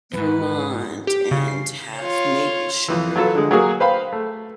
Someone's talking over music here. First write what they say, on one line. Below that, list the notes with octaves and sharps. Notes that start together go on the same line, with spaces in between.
Vermont and have maple sugar,
F2 G#2 B4
G4
C#3
C7
F4 C#5
F2 E3
F#3 F4 A4 B4
D3 G#3
F#3 A#3 F#4 G#4
B4 C5 F5 G5 B5
A3